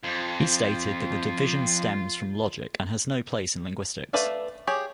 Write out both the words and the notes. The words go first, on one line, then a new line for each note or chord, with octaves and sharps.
He stated that the division stems from logic and has no place in linguistics.
F2 F4
A3 B4 D5 E5 F5
G4 G#4 C#5